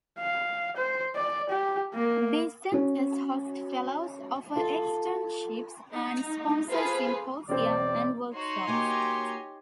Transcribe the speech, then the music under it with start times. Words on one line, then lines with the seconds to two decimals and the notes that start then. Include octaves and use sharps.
These centers host fellows, offer externships, and sponsor symposia and workshops.
0.19 F5
0.77 C5
1.15 D5
1.50 G4
1.94 A#3
2.72 C#4 F#4
4.56 F4 A4
5.92 D#4
6.68 F4 G#4 A4 B4 C5 F5
7.49 E1 C4 D5
8.34 D#4 F#4 C#5 C6
8.67 A#3 F#4 G4 F#5 G#5